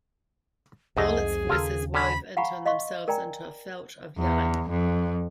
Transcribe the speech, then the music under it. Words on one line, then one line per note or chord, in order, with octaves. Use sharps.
All its voices wove into themselves into a felt of yelling.
C2 F2 G#2 C3 A3 G#4 D#5
D#2 C#3 F4 A4 A#4
D3 C#4 B5
F5 F#5 G#5 A#5 B5 C#6
D#5 F5 C6 C#6
A#4 D5 G5 G#5 A#5
E2
F2